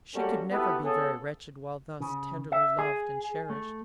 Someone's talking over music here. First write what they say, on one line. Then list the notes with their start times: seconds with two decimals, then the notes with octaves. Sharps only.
She could never be very wretched while thus tenderly loved, and cherished.
0.15 G3 G#3 A#3 C#4 F#4 A4
0.51 B3 E4 F#4 G4 A4 B4
0.83 B3 C#4 F4 G#4 A4
2.00 C#3
2.52 E5
2.79 G#4
3.50 A3